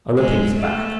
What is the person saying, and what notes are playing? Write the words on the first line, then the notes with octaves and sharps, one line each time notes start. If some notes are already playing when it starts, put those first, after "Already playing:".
On the pig's back.
G#3
A3